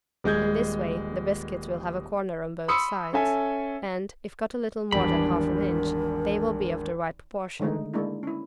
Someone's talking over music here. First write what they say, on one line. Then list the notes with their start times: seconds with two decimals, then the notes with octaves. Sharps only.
In this way the biscuits will have a corner on both sides and, if cut a little more than half an inch, they will be of the right proportion.
0.24 D#1 G#3 G#4 G6 G#6
2.68 B5 C6 D#6 E6 C#7
3.13 C#4 A4 E5 G#5
4.92 G#1 E2 G3 D4 A#4 B5
7.60 D3 D#3 G#3 A3 D#4
7.94 G#3 A#3 D4 E4
8.23 C#4 E4